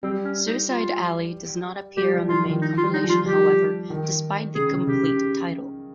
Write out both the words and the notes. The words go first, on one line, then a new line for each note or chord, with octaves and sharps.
"Suicide Alley" does not appear on the main compilation, however, despite the "complete" title.
G3 C4
C#4
D#4
F4
G3 G4
F3
F3 F4
D#3
D#4
F4
G3
D#4
F3
F4
G3 G4
D#3
C#3 G#4
C#3
C#3 G4
C#3